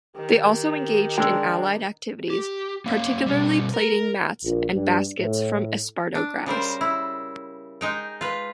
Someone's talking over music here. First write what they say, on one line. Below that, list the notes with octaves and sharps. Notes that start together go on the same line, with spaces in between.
They also engaged in allied activities, particularly plaiting mats and baskets from esparto grass.
D#3 G4
G#3 D4 G5 E6
G4
A#3 C#4 F5
B2 G3
A#4
A#1
G2
A2
D4
C#3 G3 A#4 C5
E4
G#3 D#4 G5
F4 B4